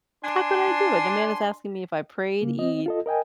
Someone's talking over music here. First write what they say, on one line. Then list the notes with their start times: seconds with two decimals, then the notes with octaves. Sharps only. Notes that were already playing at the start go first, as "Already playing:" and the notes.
How could I do it? The man is asking me if I prayed, eat,
0.24 D4 G#5 C6
2.42 C#3 A#3
2.59 C4 D#5
2.86 F4 A4 D#5
3.06 A#4 D#5 G5 G#5